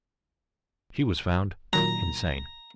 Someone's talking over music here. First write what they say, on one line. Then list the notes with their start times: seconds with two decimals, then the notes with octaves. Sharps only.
She was found insane.
1.73 A#2 D#3 F#3 A#5